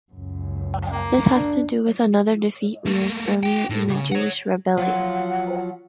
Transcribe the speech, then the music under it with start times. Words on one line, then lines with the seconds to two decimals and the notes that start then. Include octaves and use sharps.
This has to do with another defeat years earlier in the Jewish rebellion.
0.12 C#2 F#2
0.92 A#3
1.35 D4
2.86 A3 A#3
3.43 F#4 G5
3.70 A2
3.88 C#3
4.12 C#5 F#5
4.77 F3 F#3 F4 F#5